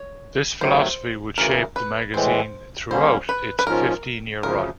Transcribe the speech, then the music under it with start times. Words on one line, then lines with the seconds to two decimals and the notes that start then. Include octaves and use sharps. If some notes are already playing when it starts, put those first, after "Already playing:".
This philosophy would shape the magazine throughout its fifteen-year run.
Already playing: C#5
0.61 C3 D#3 F#3 A3 C5
1.37 D2 C#3 E3 A#4
1.76 B4
2.14 A2 E3 G#3 C5
2.90 D3 G3 A#3 C#4 C5
3.29 B4
3.59 B4
3.67 G#2 F3 G#3 C#4 F4 A#4
4.43 D2 C#3 F3 A#4